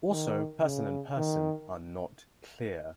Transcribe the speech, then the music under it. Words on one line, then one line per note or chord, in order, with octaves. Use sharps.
Also, Person and Person are not clear.
D#3
C#3
D#3